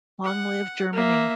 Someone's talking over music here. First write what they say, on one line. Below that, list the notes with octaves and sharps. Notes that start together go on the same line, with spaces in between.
Long live Germany!
F#5
A#3 E5